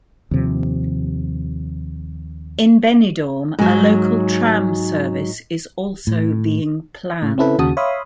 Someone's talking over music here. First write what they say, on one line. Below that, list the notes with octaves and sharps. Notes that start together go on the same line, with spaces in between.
In Benidorm, a local tram service is also being planned.
D#2 C3 F3
G#2 F#3
A2
A2
C4 C#4 E4 A4 B4 E5
D#2 C#3 F#4 A5 D#6
C#5 E5 F5 B5 C6 D#6